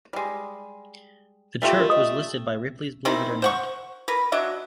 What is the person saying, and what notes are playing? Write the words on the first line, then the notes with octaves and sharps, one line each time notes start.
The church was listed by Ripley's Believe It or Not!
G3 G#3
G3 A3 F4 G4
D#3 C4 D#4 E4
C5 F#5 C#6
A#4 B4
F#3 D4 D#5 E5